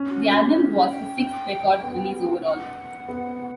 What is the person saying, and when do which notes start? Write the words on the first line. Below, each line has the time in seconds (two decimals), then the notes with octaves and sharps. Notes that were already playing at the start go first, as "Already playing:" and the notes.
The album was his sixth record release overall.
Already playing: C#4
0.09 F#4
0.25 F#4
0.41 G4
0.56 E5
0.88 G5
1.83 B3
2.46 F#5
3.09 B3